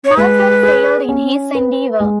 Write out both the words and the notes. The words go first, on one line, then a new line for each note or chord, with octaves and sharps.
Muldoon failed in his endeavor.
C#5
G#3 B4
G#4
C#4
B4
G#3